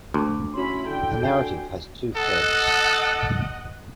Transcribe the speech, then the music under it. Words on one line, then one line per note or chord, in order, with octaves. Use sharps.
The narrative has two threads.
D2 D6
C#4 E4 F#4 B5 C6
D3 G5
F#4 G#5 C7
A4 D#5 F#5